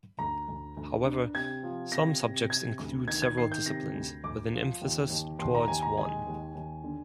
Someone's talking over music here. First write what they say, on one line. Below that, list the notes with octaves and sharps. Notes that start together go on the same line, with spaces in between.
However, some subjects include several disciplines, with an emphasis towards one.
D2 A#5
D2
D2
D4
C3 G#6
F3
C3 A#6
C3
C3 G#6
D2
D#3 G#6
G#6
D#3 C7
G6
C3 A#6
D2
D2 D6
F3
D#2
D#2
D#2 C6
A#5
D#2 G#5
A#5
G#3 G#5
D#2
D#2
D3